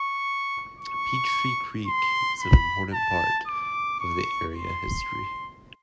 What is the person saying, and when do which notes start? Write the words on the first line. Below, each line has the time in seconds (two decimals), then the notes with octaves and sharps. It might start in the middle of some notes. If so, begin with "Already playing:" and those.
Peachtree Creek is an important part of the area history.
Already playing: C#6
0.79 C#6
1.86 C6
2.40 B5
2.93 A5
3.47 D6
4.00 C#6
4.54 C6